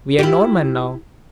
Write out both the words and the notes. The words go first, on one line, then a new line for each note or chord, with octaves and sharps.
We are Norman now.
E4 F4 G4